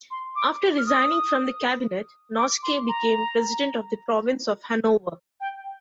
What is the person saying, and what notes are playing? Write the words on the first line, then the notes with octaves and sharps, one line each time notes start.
After resigning from the cabinet, Noske became president of the province of Hannover.
C6
D6
F6
D#6
D6
C6
A#5
G5